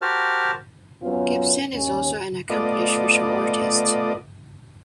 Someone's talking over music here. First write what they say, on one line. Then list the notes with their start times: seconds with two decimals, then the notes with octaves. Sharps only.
Gibson is also an accomplished visual artist.
0.02 F#4 G4 A#4 C5 A5 F6
1.02 F#2 B3 C#4 F4
1.73 D#2 C#4
2.50 A3 B3 F4 D5 D#5